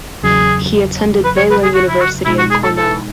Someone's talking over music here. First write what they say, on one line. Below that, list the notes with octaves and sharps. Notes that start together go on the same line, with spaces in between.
He attended Baylor University and Cornell.
E2 C#3 F#3 G#4
B4
C#5
B4
G#4
F#4
E4
F#4
B2 G#3 D#4 E4
F#4
G#4
A4
A4